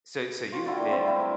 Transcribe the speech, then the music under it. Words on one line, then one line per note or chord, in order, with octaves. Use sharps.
so so you've been
F4 F#4 G5 C6
D3 E4 F4 G4
A3 A#3
G3 C4 E4 C5
E4 F5 G5
B4 A#5 D6